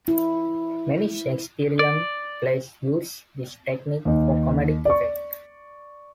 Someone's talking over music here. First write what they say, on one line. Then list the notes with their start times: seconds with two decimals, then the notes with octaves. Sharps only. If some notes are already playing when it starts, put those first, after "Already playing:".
Many Shakespearian plays use this technique for comedic effect.
0.08 E4
1.79 D5
4.05 D#2 D#4
4.85 D5 C#6